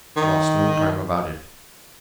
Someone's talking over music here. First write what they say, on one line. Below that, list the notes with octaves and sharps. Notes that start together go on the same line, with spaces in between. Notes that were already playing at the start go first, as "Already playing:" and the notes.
I lost no time about it.
D#3